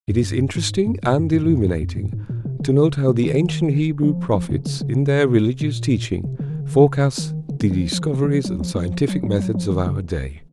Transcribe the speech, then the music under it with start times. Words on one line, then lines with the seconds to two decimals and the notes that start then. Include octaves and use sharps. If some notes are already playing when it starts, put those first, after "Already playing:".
It is interesting and illuminating to note how the ancient Hebrew prophets in their religious teaching forecast the discoveries and scientific methods of our day.
0.08 F2
0.23 F#2
0.30 G#2
0.38 F#2
0.55 G#2
0.86 F#2
1.03 A#2
1.18 F#2
1.34 F#2
1.44 F#2
1.50 F2
1.65 F#2
1.82 F2
1.97 F#2
2.13 G#2
2.29 A#2
2.45 C3
2.60 C#3
3.08 C3
3.24 D#3
4.02 F3
4.34 F3
4.49 C#3
4.66 C#3
4.81 C#3
5.61 A#2
6.24 C3
6.39 C#3
6.50 D#3
6.61 C#3
6.72 D#3
6.83 C#3
7.18 D#3
7.49 C#3
7.60 C#3
7.71 D#3
7.81 F3
7.92 F3
8.02 D#3
8.13 C3
8.24 D#3
8.33 F3
8.45 F#3
8.60 F3
8.75 F3
9.08 F#3
9.23 F#3
9.39 F#3
9.55 F3
9.70 D#3
9.87 C#3